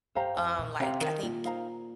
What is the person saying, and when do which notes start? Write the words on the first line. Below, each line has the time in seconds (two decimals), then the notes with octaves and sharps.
um, like, I think,
0.15 G2 G4 C5 F5 A#5
0.37 F2
0.59 A#2
0.80 C3 G4 C5 F5 A#5
1.01 D#3
1.23 A#2
1.44 D#4 C5 F5 A#5